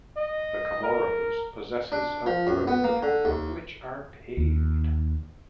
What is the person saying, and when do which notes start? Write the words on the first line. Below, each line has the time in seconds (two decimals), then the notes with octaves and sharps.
The Comoros possesses of road, of which are paved.
0.17 D#5
0.83 A#4
1.92 D4
2.26 F3
2.47 F#2
2.68 B3
2.84 A#3
3.03 D3
3.25 D#2
4.37 D#2